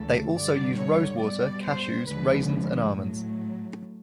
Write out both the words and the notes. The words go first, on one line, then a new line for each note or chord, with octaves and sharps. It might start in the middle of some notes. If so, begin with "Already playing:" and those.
They also used rose water, cashews, raisins, and almonds.
Already playing: D2 C#3 E3 A3 A4
G2 D3 G3 D5
C#5
B2 G3 D5
C5
D#2 D3 F3 G#3 B4
A2 F#3 A3